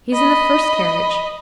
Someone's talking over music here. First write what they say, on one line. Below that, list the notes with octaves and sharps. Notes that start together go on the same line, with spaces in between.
"He's in the first carriage."
D#5 B5